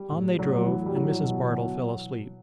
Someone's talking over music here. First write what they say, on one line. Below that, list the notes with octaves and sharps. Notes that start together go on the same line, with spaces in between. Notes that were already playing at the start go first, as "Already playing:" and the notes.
On they drove, and Mrs. Bardell fell asleep.
Already playing: G3
A2
A2 F#3
E3
G3
E3 F#3
B2
B2